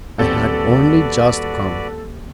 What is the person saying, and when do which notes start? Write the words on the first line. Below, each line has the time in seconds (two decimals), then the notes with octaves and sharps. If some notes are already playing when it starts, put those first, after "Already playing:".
"I had only just come."
0.19 D#1 C4 F#4 A4 B4 D5